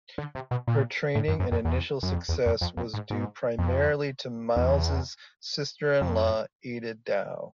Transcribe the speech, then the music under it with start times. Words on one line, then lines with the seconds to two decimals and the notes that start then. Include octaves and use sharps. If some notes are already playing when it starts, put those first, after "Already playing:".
Her training and initial success was due primarily to Miles's sister-in-law Ada Dow.
0.18 D3
0.35 C3
0.51 B2
0.67 A#2
1.15 A2
1.28 F#2
1.39 F#2
1.51 F2
1.65 E2
2.03 F#2
2.12 F2
2.29 E2
2.46 F2
2.61 F2
2.77 F2
2.94 G#2
3.10 G#2
3.58 F2
4.56 E2
6.01 F2